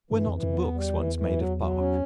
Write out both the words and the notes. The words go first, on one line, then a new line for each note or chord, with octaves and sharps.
Were not books once made of Bark?
G2 E3
F2
E3
F2
B3
E2
G3
E3
E3
F#3
F#3
C#4